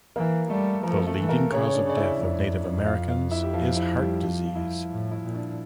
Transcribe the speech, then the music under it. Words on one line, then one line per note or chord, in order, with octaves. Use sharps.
The leading cause of death of Native Americans is heart disease.
E3 A#3 A#4
G3 A3 A4
F3 A#4
A4
A#3 A#4
A3 A4
E3
A#3 A#4
C#3 C#4 C#5
C#5
D4 D5
C#3
D5
E4 E5
F2
F4 F5
F4 F5
E4 E5
G4
F3 F4
E4
G3 G4
F3 F4
F4
E4
A2
E4
A#2
D4